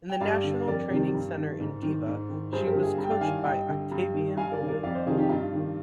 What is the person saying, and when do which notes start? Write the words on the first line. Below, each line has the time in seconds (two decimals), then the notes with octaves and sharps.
In the national training center in Deva, she was coached by Octavian Belu.
0.09 G5
0.20 G2 D5 F5
0.44 D3
0.67 F2 A#4 D5
0.90 C3 D#3
1.14 G2
1.37 D#3
1.60 G#2
1.82 D#3
2.06 G#2
2.29 D#3
2.52 G2 G#4 C5
2.67 G4 A#4
2.75 D3
2.82 F4 G#4
2.98 G2
3.04 G5
3.10 D5 F5
3.21 D#3 F5 G#5
3.44 G2 D#5 G5
3.68 D3
3.91 G2
4.14 D#3
4.37 G2 F5 G#5
4.52 A#4 D5
4.61 D#3
4.68 A#4 D5
4.83 F2 D5 F5
4.94 C5 D#5
5.06 C3 D#3 F4 G#4
5.17 D#4 G4
5.29 G2 D4 F4
5.53 D#3